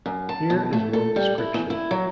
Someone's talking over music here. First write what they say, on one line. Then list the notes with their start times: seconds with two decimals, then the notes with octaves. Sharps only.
Here is one description.
0.06 F#2
0.29 A5
0.50 B2
0.73 A3
0.93 A4
1.16 G3
1.38 E4
1.54 E2
1.70 E4
1.91 F#3